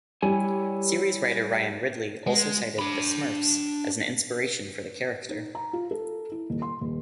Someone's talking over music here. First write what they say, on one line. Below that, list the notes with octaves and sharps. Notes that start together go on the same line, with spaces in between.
Series writer Ryan Ridley also cited "The Smurfs" as an inspiration for the character.
G3 E4 C#5 G#5
G#3
D4 B5
D#4
A#5
F4
A4
E4
D#1
C6
D#1